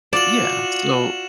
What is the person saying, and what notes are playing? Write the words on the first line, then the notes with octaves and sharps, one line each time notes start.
Yeah, so
F4 F#4 D5 E7 F#7